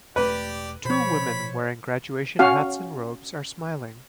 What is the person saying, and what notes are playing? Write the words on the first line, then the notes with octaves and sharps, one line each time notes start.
Two women wearing graduation hats and robes are smiling.
E1 A3 G4 B4 D5
B2 F3 C5 C#5 B5
C#4 F#4 F5